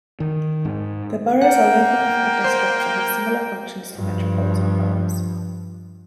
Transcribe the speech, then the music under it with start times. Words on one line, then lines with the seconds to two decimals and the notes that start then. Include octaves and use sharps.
The boroughs are local government districts and have similar functions to metropolitan boroughs.
0.20 D#3
0.65 G#2
1.41 A#3 F#5 G5
2.44 C5
3.95 G2 F3